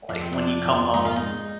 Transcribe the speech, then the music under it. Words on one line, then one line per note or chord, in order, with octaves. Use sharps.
like, when you come home,
F2 D4
C4
F3 D4
F2
G#2 D#4
F4
D#4
G#3